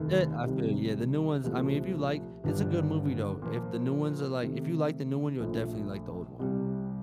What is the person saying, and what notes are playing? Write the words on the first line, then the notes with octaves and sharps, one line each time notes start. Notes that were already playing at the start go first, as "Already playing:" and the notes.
Yeah, I feel you. Yeah, the new ones I mean, if you like it's a good movie though. If the new ones are like If you like the new one, you'll definitely like the old one,
Already playing: F1 D#2 D#3 A3 D#4
C2 C3 D#3 G3
C2 A#2 F3 A3
G1 G2 D#3 G3 D4
A#2 F3 A#3
C3 D#3 A3
A#1 A#2 A3
C2 C3 G3